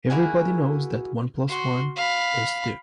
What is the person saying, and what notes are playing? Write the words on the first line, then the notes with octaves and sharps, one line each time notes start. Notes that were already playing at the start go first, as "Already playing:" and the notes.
Everybody knows that one plus one is two.
A#3 E4 F#4 G#4
F#4 C6
F5 B5